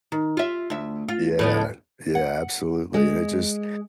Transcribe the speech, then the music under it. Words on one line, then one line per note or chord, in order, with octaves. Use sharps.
Yeah. Yeah, absolutely, and it just
D#3
F4 E5
D2 E5
F4
A2 F3 B3
F#5
G#3